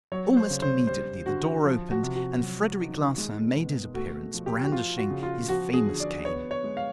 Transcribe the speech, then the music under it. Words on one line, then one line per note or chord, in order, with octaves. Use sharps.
Almost immediately the door opened and Frederic Larsan made his appearance, brandishing his famous cane.
F#3 C#5
C5
C#3
C5
G3 C5
D3 F#4
F3
F#4
C3
F#4
F#3
D#3
G#3
B2
A3 F#4
F3
G4
F#4
F3 F4
F#4
C#3
F4
F3 F#4
G#4
D3
D5
B3 C#5
C#5
G#3
F5